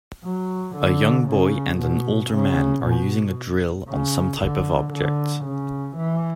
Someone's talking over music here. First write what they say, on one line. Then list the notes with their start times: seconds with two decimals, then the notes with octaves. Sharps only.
A young boy and an older man are using a drill on some type of object.
0.24 F#3
0.76 D3
1.28 C#3
1.80 B2
2.32 C#3
2.84 B2
3.88 C#3
4.41 D3
4.92 D3
5.44 C#3
5.97 E3